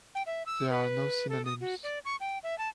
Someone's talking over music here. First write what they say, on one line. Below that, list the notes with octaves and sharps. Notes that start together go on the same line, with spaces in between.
There are no synonyms.
G5
E5
E6
B4
A4
D#6
F#4
D5
C#6
G5
E5
A5